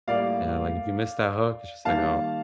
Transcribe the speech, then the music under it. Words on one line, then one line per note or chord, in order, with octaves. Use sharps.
Yeah, like, if you miss that hook, it's just like, "Oh,
A2 G3 A#3 D5 F5
D#3 G3 A#3 F5 A5